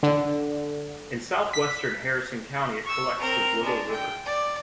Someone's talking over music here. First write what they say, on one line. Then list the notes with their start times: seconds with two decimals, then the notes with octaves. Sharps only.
In southwestern Harrison County, it collects the Willow River.
0.03 D3
1.53 B6
2.84 C#6 E6
3.19 C4 A#4
3.62 G#3 D4
3.91 G5
4.26 D5